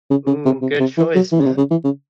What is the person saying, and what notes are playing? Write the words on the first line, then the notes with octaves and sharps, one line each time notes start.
Ooh, good choice, man.
C#3
C#3
C3
C3
C3
E3
F#3
E3
C#3
C3
C#3
E3
C#3